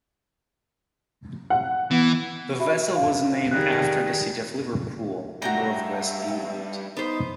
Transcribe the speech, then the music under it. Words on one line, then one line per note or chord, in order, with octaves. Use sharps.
The vessel was named after the city of Liverpool in North West England.
F#5
E3 B3
F#4 E5 B5
F5
D#3 G3 G#4 F#6
G2 F#4 E5 G5 A#5
B3 D#4 C5